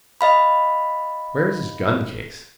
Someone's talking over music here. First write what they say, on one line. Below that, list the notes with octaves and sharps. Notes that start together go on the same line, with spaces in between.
Where is his guncase?
D#5 F5 B5